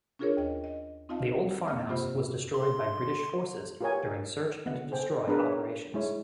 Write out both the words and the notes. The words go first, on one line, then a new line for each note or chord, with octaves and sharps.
The old farmhouse was destroyed by British Forces during search and destroy operations.
C#4 D4 F4 G#4 A#4 C#5
D#2 D#5
D#5
C4 D#4 F4 D#5 F5 A5
F2 A#3 C4 D#5 F5 F6
G2 C3 F4 G4 C5 B5
C6
F4 G4 A#4 B4 C#5 G#5
B3 F#5
A4 C5 G5 G#5
B3 D4 G#4 A#4 B4
C#5
G#3 E4 C#5